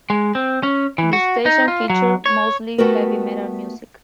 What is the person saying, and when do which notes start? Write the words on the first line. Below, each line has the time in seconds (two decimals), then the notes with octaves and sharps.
The station featured mostly heavy metal music.
0.10 G#3
0.35 C4
0.63 C#4
0.98 E3
1.13 F#4
1.46 D#4
1.68 F4
1.90 F#3
2.26 C#5
2.78 A3 B3 F#4 G4 A#4 B4